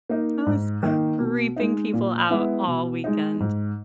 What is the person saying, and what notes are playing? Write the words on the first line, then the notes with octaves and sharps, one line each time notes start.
I was creeping people out all weekend.
A#3 D#4
G#2
D#3 A#3 D#4
B2
G#3 D#4
A#2
G#3 B3 E4
B2
G#3 D#4
G#2